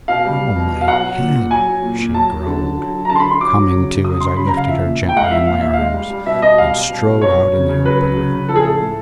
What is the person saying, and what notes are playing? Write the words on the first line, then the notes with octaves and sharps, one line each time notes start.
"Oh, my head!" she groaned, coming to as I lifted her gently in my arms and strode out in the open with her.
B2 F5
G3
G3
B2
B2
F5
F#3 F#5
F#3
A#2
A#2
F#3 G#5
F#3
A#2
A#2
F#3 A5
F#3
D3
D3
F#3
F#3
A#5
D3 A5
C6
B5
D3
C6
F#3 D6
F#3
C#3
C#3
F#3 D#6
F#3 C6
C#3 B5
A#5
C#3 F5
F3 E5
A#2
A#2
G5
G#3 F#5
F5
F3 E5
A#2 F5
A#2 E5
G#3 F5
G3
G3
B2 E5
B2 D#5
G3 F5
G3
B2
B2
F#3 C#5
F#3
C#3
C#3
F#3 B4
F#3
C#3
C#3
F3 A4
G#4
A2 A4
A2